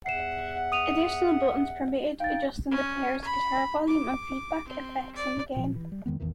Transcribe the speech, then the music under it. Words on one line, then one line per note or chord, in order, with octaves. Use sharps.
Additional buttons permitted adjusting the player's guitar volume and feedback effects in the game.
E2 E5 F#5 C7 E7
D#6 D#7 F7
D#4 F5 G5 A6
C#4
B5
D6
C4
D5
A#2 F3
E3
G3
F2 D#3 G#3 B3
A1 E2 D#3 E3